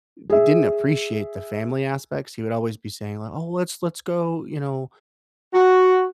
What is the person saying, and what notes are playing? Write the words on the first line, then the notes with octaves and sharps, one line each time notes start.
d didn't appreciate the family aspects. He would always be saying li "Oh, let's let's go, you know,
G#4 E5
F#4